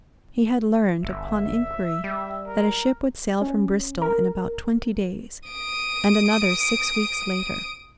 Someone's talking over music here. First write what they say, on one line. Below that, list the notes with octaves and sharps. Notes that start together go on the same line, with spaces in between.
He had learned, upon inquiry, that a ship would sail from Bristol in about twenty days, and another six weeks later.
G1 E5
G3
A#4
C#4
A#4
D#6 D7